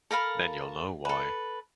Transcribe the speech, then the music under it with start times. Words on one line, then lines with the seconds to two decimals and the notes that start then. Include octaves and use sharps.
Then you’ll know why.
0.11 A4 A#4 F5 B5
1.05 A4 B4